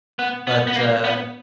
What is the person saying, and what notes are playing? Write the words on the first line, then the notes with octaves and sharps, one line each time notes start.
but, uh
B3
B3
B3
A#3
B3